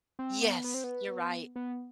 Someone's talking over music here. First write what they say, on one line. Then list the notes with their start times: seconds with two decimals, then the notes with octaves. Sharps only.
Yes, you're right.
0.19 C4
0.42 B3
0.64 B3
0.74 C4
0.84 B3
1.56 B3